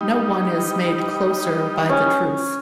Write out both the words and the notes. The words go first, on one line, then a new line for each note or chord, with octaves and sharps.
No one is made "closer" by the truth.
G3 D#4
C#4